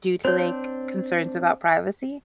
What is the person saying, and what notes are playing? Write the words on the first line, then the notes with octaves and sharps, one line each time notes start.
due to, like, concerns about privacy?
C4 D4 C5 C#5